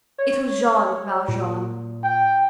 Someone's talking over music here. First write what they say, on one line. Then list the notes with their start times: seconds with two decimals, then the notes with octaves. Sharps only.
It was Jean Valjean.
0.18 C#5
1.28 A#2
2.04 G5